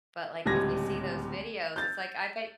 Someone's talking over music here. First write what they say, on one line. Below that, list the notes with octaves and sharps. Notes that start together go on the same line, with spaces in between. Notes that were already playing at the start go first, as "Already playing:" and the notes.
But, like, if they see those videos it's like I bet
D1 C#2 G3 G#6 A#6
G6 A6